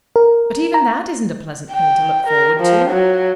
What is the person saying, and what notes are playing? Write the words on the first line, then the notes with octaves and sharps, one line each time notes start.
But even that isn't a pleasant thing to look forward to.
A#4
A#5
G5
A#4
F3
F#3